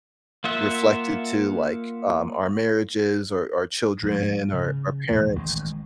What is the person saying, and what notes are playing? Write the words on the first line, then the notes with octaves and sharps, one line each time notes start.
reflected to like, um, our marriages, or our children, or our parents.
A#3 F4 E5 F#5
G#2 F3 G3 A3
C#3
E2 A#2 D#3 E3
A1 D#3 G#3